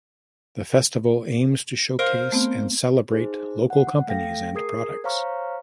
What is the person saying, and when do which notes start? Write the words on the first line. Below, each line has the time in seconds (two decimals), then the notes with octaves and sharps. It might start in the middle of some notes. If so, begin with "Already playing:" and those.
The festival aims to showcase and celebrate local companies and products.
1.99 A#4 C5 F5
2.32 A3 B3 C4
3.11 D#4 G#4 C5
3.70 F#5
4.07 A3 A4 F5 G5 A#6
4.55 G#4 A#4 D#6 G#6 C7
5.04 C5 C#5 F5 A#5 C#6 F6